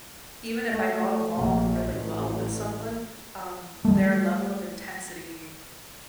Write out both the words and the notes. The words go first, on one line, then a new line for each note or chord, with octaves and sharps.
even if I got along really well with someone, um, their level of intensity
A3
A#1
A1
G3 A3